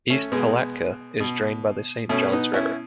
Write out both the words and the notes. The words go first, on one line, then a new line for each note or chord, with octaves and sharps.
East Palatka is drained by the Saint Johns River.
A3 C#4
B2 G#3 B3
B2
B2 A3 C#4
B3 D#4
C#4 E4